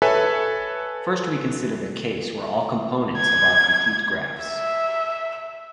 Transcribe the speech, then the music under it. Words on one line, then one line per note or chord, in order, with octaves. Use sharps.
First we consider the case where all components of are complete graphs.
A4 B4 C#5 E5 G#5 A5
G#6
E5